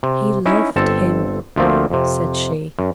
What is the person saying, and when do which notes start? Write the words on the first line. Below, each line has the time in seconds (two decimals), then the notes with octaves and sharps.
'He loved him,' said she.
0.03 C3
0.46 C#4 D#4 E4
0.76 G1 C4 A4 A5
1.56 D2 F3 A3 A#3 C4
1.90 F2 C3
2.79 F#2